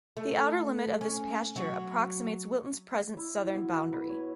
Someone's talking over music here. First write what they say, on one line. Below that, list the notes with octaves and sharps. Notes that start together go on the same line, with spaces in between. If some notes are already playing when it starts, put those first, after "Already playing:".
The outer limit of this pasture approximates Wilton's present southern boundary.
A3
C#4
F#3 F#4
E4
B2
B4
C#5